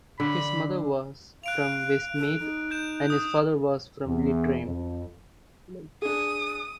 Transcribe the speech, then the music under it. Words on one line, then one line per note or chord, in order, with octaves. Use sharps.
His mother was from Westmeath and his father from Leitrim.
D3 B5
F5 F#6 D7 F7
A4
D#4
F#6 G6 E7
D#6
E2
F2
D4 G#4 D#6